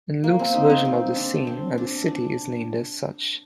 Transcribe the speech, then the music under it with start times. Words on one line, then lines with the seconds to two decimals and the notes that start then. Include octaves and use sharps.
In Luke's version of this scene at the city is named as such.
0.24 A#3
0.39 C4
0.55 D#4
0.70 C4
0.85 C4
1.16 D4
1.47 C4
1.78 D4
2.08 D4